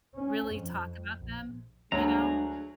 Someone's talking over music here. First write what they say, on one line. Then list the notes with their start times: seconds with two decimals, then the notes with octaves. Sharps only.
really talk about them, you know?
0.17 C#4
0.50 F2
1.17 A#1
1.92 D2 D3 F#3 G#3 D4 G#4 A#5